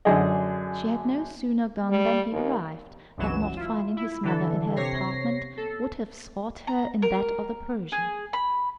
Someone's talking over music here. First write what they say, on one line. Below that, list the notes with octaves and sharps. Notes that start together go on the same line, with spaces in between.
She had no sooner gone than he arrived, and not finding his mother in her apartment, would have sought her in that of the Persian.
F#2 D3 D4 G#4 D#5
G3
D#2
G1 C#2 G2 E3 F#3 E7
E4 F4
E4
D3 E3 A4
C3 C#5 A#6 C7
A4
A#5
A#4
G#4
B5